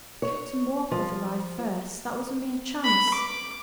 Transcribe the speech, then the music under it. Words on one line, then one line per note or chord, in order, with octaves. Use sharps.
"Captain Warkworth arrived first; that was a mere chance."
C#5
F3
B5
D6